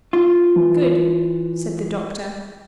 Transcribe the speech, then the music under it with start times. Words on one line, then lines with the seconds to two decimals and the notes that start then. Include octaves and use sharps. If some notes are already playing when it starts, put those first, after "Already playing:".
"Good," said the doctor.
0.13 F4
0.56 E3